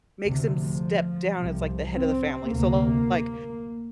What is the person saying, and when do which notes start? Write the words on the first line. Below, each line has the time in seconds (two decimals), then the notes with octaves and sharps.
makes him step down as like the head of the family, so, like,
0.25 D2 C3
0.53 F3
1.38 C2 C3
1.94 C4
2.50 D2 C3 A#3